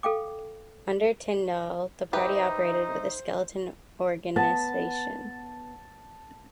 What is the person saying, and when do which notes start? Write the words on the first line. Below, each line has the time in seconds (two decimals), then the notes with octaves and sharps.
Under Tyndall, the party operated with a skeleton organisation.
0.03 A4 F5 G5 D6
2.13 D#4 G4 B4 C5 E5 A#5
4.36 B3 A5